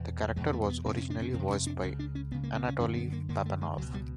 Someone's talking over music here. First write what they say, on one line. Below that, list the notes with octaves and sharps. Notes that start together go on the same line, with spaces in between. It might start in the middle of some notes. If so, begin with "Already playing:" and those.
The character was originally voiced by Anatoli Papanov.
Already playing: E2 B2
E2 B2 G#3
A3
B3
F2 C3 C4
C#4
D4
C#4
F2 C4
C3
C#4
D4
C#2 C#3 C#4
D4
C#4
C#2 C#3 B3
A#3
C4
C#4
F#2 D3 C#4
B3
A#3
F#2 D3 A#3
A3
G#3
C#2 B2 F#3
G3